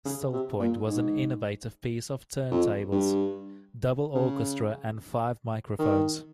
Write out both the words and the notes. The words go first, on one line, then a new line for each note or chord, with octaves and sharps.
"Still Point" was an innovative piece for turntables, "double orchestra" and five microphones.
C#3
C3
A#2
G#2
F2
G2
C#3
D#3